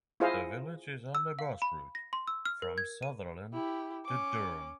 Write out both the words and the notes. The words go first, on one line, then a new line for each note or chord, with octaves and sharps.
The village is on the bus route from Sunderland to Durham.
E4 F4 G#4 C5 D#5 F5
E6
F5
B5
A#6
C6
E6
F6
A#4
G#6
D#7
E4 G4
C#4 D6